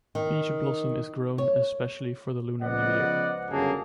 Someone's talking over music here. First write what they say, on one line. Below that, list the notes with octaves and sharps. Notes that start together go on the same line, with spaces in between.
Peach blossom is grown especially for the Lunar New Year.
D#3
C#5
C#2 F3 B3 D5 D#5 F#5
G1 F#2 C#3 A#3 G#4 A5